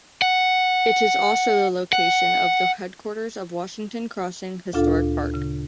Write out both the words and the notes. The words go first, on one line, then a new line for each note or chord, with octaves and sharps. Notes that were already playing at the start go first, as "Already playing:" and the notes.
It is also the location of the headquarters of Washington Crossing Historic Park.
F#5
F#5
D2 A#2 D4 F4 A4 F5
C#3